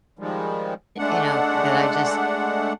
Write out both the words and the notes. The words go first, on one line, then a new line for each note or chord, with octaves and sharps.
you know, that I just
D#3 F3 G3 G#3
G#3 A3 D4 F#5